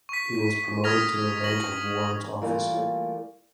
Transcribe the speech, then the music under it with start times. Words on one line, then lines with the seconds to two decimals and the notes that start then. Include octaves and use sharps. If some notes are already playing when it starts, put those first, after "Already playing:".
He was promoted to the rank of warrant officer.
0.09 C#6 B6
0.84 D#6 F6 G#6 A#6 F7
1.44 C#6 A#6 F#7
2.42 E3 G3 A3 A#3 F4 A#4